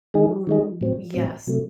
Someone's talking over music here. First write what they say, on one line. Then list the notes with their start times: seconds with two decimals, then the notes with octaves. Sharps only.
Ooh, yes.
0.14 D#3 G#3 D#4 G#4
0.47 D#3 G#3 D#4 G#4
0.81 A2 F#3 C4
1.14 A2 F#3 C4
1.47 C3 F#3 A3